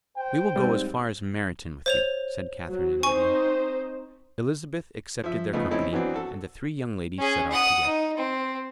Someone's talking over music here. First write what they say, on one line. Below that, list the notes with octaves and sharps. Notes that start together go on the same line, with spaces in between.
"We will go as far as Meryton with you," said Catherine and Lydia. Elizabeth accepted their company, and the three young ladies set off together.
C5 G5
G#2 G3 C4
C5 C#5 F7
F#3
C4 D#4 C5 G#5 C#6
F3 E5
C#3 F3 A3 B3 D#4
A3 C4 C#4 D#4 E4 A4
E3 F#3 B3 C4 D4
F#4 A4
C#4 G#4
F#5 D#6
D#4
C4